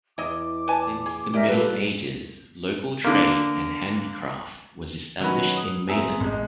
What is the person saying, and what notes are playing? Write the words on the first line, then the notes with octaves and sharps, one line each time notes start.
Since the Middle Ages local trade and handicraft was established in Meilen.
E2 E4 D#5 D6
B4 G#5 A5
G#4
G#2 C#4 G4 A#4 D5 E5
G3 A3 A4 B4 F5
D3 A#3
D#3 F#3 C#4 F#4 B4
D#6
B3 C4 G#4 E5 A#5
A1 G#3